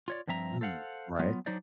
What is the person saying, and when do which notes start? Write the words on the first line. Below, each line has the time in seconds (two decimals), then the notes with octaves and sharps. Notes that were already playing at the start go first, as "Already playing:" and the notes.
Mm, right?
0.08 F4 C#5 D5
0.27 G2 F3 C4 E5 A#5
0.61 A4 C5 F5 F#5
1.19 F#3 B3 F4
1.46 F#3 D4 D#4 C5 D5